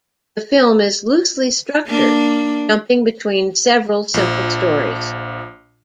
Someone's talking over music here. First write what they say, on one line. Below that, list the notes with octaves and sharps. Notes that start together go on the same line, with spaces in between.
The film is loosely structured, jumping between several simple stories.
A#3 D4
A#1 F3